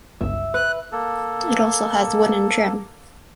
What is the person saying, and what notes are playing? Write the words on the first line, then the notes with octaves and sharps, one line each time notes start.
It also has wooden trim.
G1 C#2 E5
B4 F#6
A#3 A4